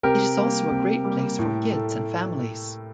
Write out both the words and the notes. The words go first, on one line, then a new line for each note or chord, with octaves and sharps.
It is also a great place for kids and families.
C3 G4 A#4
G3 A#3
C3
G3 A#3
A2
A3